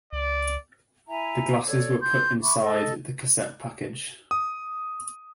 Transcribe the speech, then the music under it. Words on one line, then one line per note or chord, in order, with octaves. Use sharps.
The glasses were put inside the cassette package.
C#2 D5
E4 E5 G#5 A#5
A4 C#5 D5
C6 G6
E5 B5 C#6 D6
A4 D#5
D#6